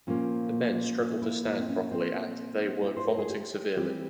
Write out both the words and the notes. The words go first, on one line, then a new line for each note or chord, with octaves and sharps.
The men struggled to stand properly and they were vomiting severely.
A#2 F3 A#3 C#4
C#4
E4
E4
C4
C#4
C#4
C4
E4
C5
A#4
G#4
G4
E3 G3 C4 G4